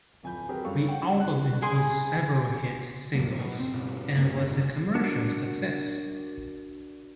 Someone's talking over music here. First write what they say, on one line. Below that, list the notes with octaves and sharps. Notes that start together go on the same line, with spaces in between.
The album includes several hit singles and was a commercial success.
D1 F2 G#5 B5 G6
F#3 C4 G4 G#4 A#4 B4
G2 C#4 A4 C#5 F5 C#6
F#5 G5
F#3 C#6
C4 F#6
E4 G#4 C6
G2 D3 F#3 A#3
B2
C4
G2 B2
D2 G2 A#3 C#4
F#1 G#2 D3 G#3
D4 F#4 A#4 A5